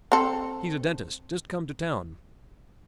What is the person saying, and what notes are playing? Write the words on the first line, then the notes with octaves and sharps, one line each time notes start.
He's a dentist, just come to town.
C4 A4